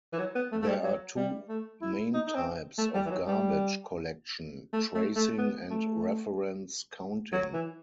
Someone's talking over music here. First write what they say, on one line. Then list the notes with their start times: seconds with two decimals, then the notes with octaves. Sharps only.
There are two main types of garbage collection: tracing and reference counting.
0.13 E3
0.19 F#3
0.35 B3
0.52 A3
0.62 A3
0.68 G3
0.84 F#3
1.17 G3
1.49 A3
1.81 E4
2.14 D#4
2.27 D#4
2.35 C4
2.78 A3
2.95 G3
3.06 E3
3.10 F#3
3.27 G3
4.73 A3
4.95 A3
5.16 A3
5.38 B3
5.70 A3
7.33 F#3
7.53 E3